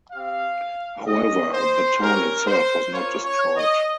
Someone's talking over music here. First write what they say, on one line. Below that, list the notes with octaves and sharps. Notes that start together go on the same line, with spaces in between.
However, the town itself was not destroyed.
C4 G4 F5
G#3 C#4 G4 D#5
C5
G3 C#4 G4 A#4
C5
A#3 C#4 F4 C#5
C#5
D#5